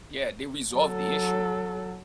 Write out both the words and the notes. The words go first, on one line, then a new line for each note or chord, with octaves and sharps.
Yeah, they resolved the issue.
F#3 A4